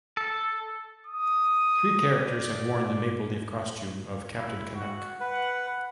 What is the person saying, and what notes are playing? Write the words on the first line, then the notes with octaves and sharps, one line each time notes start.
Three characters have worn the maple leaf costume of Captain Canuck.
A4
D#6
D5
E4
F#4
B4 F#5